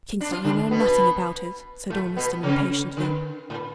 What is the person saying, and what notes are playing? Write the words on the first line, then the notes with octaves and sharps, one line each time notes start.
"Kingsley, you know nothing about it!" said Ormiston, impatiently.
D4
F3 F4
D3 D4
B2 B3
A2 A3
B2 B3
C#3 C#4
D3
A2